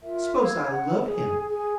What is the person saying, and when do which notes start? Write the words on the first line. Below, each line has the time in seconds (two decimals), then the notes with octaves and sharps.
"S'pose I love him?"
0.01 F4 A#4 E5
0.41 F5 E6 G#6
0.69 F#5
1.05 G#4
1.47 G#4 G#5